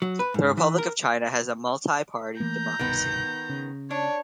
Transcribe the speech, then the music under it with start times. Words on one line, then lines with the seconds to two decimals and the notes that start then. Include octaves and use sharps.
The Republic of China has a multi-party democracy.
0.02 F#3
0.19 B4
0.34 G#2
0.57 E3
0.78 A#4
2.40 E3 A3 A#3 A#5 G6
2.79 G1 C2 B2 D#3 B3
3.49 C#3
3.90 D4 C#5